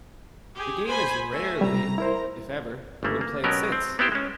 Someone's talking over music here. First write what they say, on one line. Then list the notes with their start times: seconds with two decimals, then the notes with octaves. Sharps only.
The game has rarely if ever been played since.
0.54 G4 G#4
0.86 C5 G#5 B5
1.31 A3 E5 G#5
1.61 C3 G3 A#5
1.98 E4 A#4 C5
3.03 G1 C#3 A3 A#3
3.21 A#3
3.44 B2 F#3 B3 C#4 G4 A#4
3.72 C4
3.99 B3 C4 E4 G4 C5
4.12 G#3 C#4